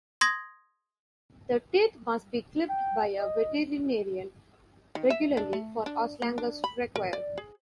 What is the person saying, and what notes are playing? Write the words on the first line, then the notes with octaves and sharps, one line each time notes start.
The teeth must be clipped by a veterinarian regularly for as long as required.
C6 D#6 G#6 A#6
G5
D#5
D#3
E5
D4
A3
D4
A#3
D4
B5
A#4
D5
G#4